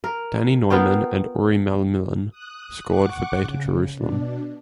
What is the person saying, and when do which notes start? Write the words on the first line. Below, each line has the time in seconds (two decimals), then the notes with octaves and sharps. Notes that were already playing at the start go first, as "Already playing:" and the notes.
Danny Noyman and Uri Malmilian Scored for Beitar Jerusalem.
0.04 A#4
0.70 B3 F4 A#4 G5
2.31 D#6 F#6
2.87 F#5 C#6 D6 F#6
3.43 C#3
3.95 B2 D4